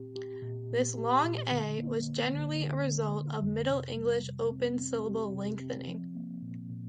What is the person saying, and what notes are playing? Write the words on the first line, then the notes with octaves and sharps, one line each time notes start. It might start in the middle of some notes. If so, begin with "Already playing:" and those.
This long A was generally a result of Middle English open syllable lengthening.
Already playing: A#2 C4 G4
G4
A#2
A#2
G4
A#2
D3
A#3
D3
D3
D3
D3
D3
F2
C3
G3
C3
C4
C4
G4
C3
C4
F3
A#3
A#2
A#2